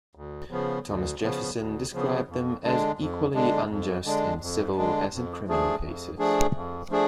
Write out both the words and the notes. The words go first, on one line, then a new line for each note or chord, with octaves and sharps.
Thomas Jefferson described them as "equally unjust in civil as in criminal cases".
D2
C#3 F3 B3
D2
C#3 F3 B3
D2
C#3 F3 B3
F2
D3 G#3 D4
F2
D3 G#3 D4
F2
D3 G#3 D4
F2
D3 G#3 D4
F2
F3 A3 D4 G#4
F2
F3 A3 D4 G#4
F2
F3 A3 D4 G#4